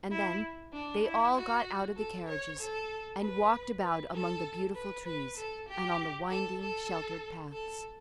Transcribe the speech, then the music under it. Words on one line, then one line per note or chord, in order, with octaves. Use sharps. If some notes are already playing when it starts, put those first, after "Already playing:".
And then they all got out of the carriages, and walked about among the beautiful trees, and on the winding, sheltered paths.
E4
D4
E4
F#4
A4
C#5
A4
B4
B4
A4
B4
B4
A4
G4
A4
A4
A4